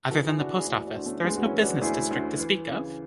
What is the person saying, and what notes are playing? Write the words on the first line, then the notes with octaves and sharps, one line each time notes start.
Other than the post office, there is no business district to speak of.
E3 F#4 A4
E4 G#4
E3 D4 F#4
E4 G#4
D2 E4 G#4
D4 F#4
D2
A3 C#4
D2 G#3 B3
F#4
C#4 E4
E3
D4 F#4
D2 E4 G#4
D2
E3
C#3